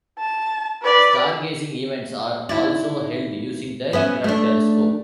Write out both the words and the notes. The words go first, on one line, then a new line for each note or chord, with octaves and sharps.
Stargazing events are also held using the Grubb telescope.
A5
B4 D5
D#2 E4 D5
B3 C#4 E5
A3 D4